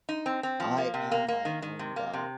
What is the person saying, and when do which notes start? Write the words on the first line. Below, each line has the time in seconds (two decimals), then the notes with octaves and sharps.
I am my own dog.
0.09 D#4
0.26 C4
0.43 C4
0.60 F3
0.78 A#3
0.94 C3
1.12 A#3
1.28 A#3
1.45 D#3
1.62 D#3
1.79 C3
1.96 A#3
2.13 C3